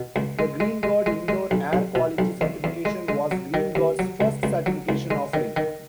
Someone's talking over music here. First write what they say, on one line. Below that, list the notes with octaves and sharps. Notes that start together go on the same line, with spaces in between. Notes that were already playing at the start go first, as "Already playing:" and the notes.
The Greenguard Indoor Air Quality Certification was Greenguard's first certification offering.
Already playing: B2
C#2
G#3
G#3
G#3
G#3
G#3
B1
B1
B2
B1
E2
E2
G#3
G#3
F#3
D#3
D#2
F#3
C#2
C#2
F#3
C#2
G#3
D#3
D#3